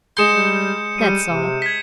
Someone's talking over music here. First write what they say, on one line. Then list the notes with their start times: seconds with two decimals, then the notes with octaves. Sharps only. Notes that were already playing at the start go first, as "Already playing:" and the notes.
That's all.
0.17 G#3 C6 G6 C#7 E7
0.29 G3
0.98 G3 C#7 D#7
1.27 C3
1.62 G#6 B6